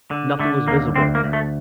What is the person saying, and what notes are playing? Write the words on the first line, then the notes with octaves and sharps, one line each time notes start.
Nothing was visible.
D3
D3 A3
D#2 A#3
D2 C4
A#3
D2
A3